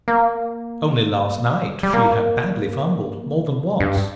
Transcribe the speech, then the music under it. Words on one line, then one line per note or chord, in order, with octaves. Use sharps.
Only last night she had badly fumbled, more than once.
A#3
G3
A#3
G2